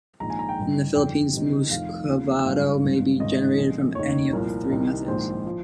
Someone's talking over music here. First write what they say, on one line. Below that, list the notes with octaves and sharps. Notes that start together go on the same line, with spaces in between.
In the Philippines muscovado may be generated from any of the three methods.
A#1 G#2 D#3 A#5
G#5
A#5
G5
G1 G2 D#3
G1 F2 D#3 G5
C2 C3 D#3
F1 F2 D#3 F5
D#2 C#3 F3
G#1 G2 F3 F5
G#1 G2 D#3
G#1 G#2 D#3 D#5
A#1 A#2 F3
F1 D#2 D#3 C#5
C2 A#2 F3 A#4
C2 C3 D#3
A#1 G#2 D#3 C5
F3